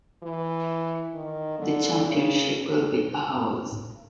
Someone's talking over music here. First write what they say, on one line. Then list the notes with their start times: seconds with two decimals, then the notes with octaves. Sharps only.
The championship will be ours!
0.23 E3
1.14 D#3
1.59 D3
2.05 C#3